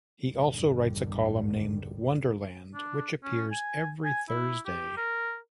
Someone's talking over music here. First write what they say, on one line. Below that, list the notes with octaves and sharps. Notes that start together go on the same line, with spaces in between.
He also writes a column named "Wonder Land" which appears every Thursday.
A#1 E2 G2 D3 D#3 G3
D4
C#4
G#5
G#5
E4
G4
A#4